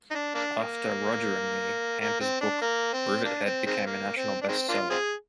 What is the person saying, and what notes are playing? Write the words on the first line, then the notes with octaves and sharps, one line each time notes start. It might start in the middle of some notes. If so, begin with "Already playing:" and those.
After "Roger and Me", Hamper's book "Rivethead" became a national bestseller.
D#4
D4
A#3 D4
A#3
A#3
C4
D4
A#3
C4
A#3 D4
C4
D#3 G#3 C4
A#3
C4
D4
D#3 G#3 C4
A#3 D4 F4
C4 F4 G#4